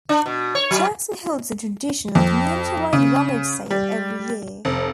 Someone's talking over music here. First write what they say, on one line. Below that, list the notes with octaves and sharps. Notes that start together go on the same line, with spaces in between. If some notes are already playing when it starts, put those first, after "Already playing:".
Jackson holds a traditional community wide rummage sale every year.
D4
B2
C#5
F#3
F2
C#3
G3
F1